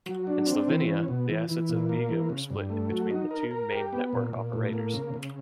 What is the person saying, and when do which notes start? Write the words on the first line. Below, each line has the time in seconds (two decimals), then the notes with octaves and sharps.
In Slovenia, the assets of Vega were split between the two main network operators.
0.06 F#3
0.27 D4
0.46 C4
0.68 E3
0.87 C#4
1.08 B2
1.29 E3
1.48 E3
1.69 A#2
1.89 A#3
2.09 E3
2.30 C#3
2.50 G2
2.70 A3
2.90 F#3
3.11 D#4
3.31 A#4
3.51 A#4
3.72 G4
3.93 B3
4.13 A#2
4.33 A#2
4.53 A2
4.73 A#3
4.94 C#3
5.14 C#3